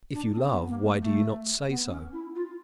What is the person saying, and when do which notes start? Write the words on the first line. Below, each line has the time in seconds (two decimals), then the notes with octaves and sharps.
If you love, why do you not say so?
0.14 D4
0.35 C4
0.52 B3
0.69 A#3
0.85 A3
1.02 A3
1.69 B3
1.90 C#4
2.13 E4
2.35 F4